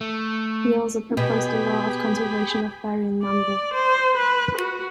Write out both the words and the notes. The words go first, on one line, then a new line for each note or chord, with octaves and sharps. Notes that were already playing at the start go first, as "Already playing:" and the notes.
He also proposed the law of conservation of baryon number.
A3
B2 G4 G#4 B5
D5
C5
B4
F#4